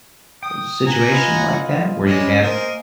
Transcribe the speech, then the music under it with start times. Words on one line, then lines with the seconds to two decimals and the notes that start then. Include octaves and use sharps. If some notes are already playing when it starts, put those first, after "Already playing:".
situation like that, where you had,
0.43 G5 D#6
0.86 F#5 G#5 A#5
1.12 F4 D#5 B5
2.05 G3 G#3 C#4
2.42 A#3 A#4 C5 D#5 G#5